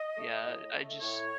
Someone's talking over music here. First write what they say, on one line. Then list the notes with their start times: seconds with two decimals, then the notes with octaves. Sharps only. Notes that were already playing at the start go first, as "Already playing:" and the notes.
Yeah, I just
Already playing: D#5
0.17 A3
0.46 A2
0.73 A3
1.02 A2 C#5